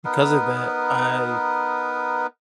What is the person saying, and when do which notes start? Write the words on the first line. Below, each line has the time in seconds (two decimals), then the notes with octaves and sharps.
because of that, I
0.05 B3 D#4 A#4 B4